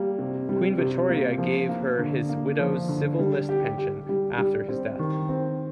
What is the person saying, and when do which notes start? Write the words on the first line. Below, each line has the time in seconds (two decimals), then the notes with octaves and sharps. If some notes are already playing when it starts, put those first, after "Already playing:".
Queen Victoria gave her his widow's civil list pension after his death.
Already playing: G3 A#3
0.19 C3
0.49 G3
0.78 C3
1.09 A#3
1.38 F3
1.69 A#3
1.98 D3
2.29 A#3
2.59 F3
2.89 D3
3.19 G3
3.49 G4
3.78 G4
4.09 G3
4.38 G3
4.68 C4
4.99 D#3
5.29 C4